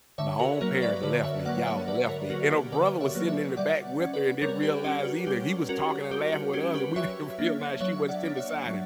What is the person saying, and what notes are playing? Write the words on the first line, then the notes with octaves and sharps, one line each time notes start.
"My own parents left me. Y'all left me," and her brother was sitting in the back with her and didn't realize either. He was talking and laughing with us, and we didn't realize she wasn't sitting beside him,
D3 C#5 E5
F#4 A#4
F#3 A#3 A#4 C#5
B4 D5
D3 B4 D5
C#5 E5
F#3 A#3 D5 F#5
F#5
C#5 E5
D3 B4 D5
A#4 C#5
F#3 A#3 F#4 A#4
G4
D3 B4 D5
C#5 E5
F#3 A#3
C#5 E5
G3 D5 F#5
C#4
B4 D5
G3 A#4 C#5
G4 B4
C#4 G4
F#4
G3 G4
C#4 F#4 A#4
G3 G4
F#4
C#4 G4
G4 B4
F#3 C#5 E5
A#3 D4
F#3 C#5 E5
D5 F#5
A#3 D4
C#5 E5
F#3